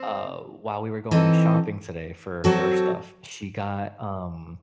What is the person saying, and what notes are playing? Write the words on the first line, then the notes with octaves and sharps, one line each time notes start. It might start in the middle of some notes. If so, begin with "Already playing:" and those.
uh, while we were going shopping today for her stuff, she got, um
Already playing: C4
E3 C4 D#4 A4
F#3 C4 F#4 A4